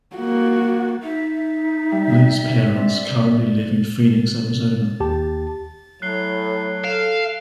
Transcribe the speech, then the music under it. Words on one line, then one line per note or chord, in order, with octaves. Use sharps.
Lee's parents currently live in Phoenix, Arizona.
A#3 F#4
D#4 E5
G3
C4 D4
D#2 G4 A5
A2 F#3 F#6 C7 G7
A4 F5 D7 E7